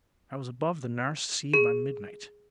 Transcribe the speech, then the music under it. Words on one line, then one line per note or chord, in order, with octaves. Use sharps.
I was above the Nares Sea, by midnight.
G#4